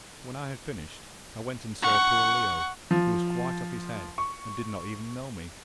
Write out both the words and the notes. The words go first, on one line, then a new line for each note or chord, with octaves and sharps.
When I had finished I went and saw poor Leo, who was quite off his head, and did not even know me.
F#5 C#6
F3
C#6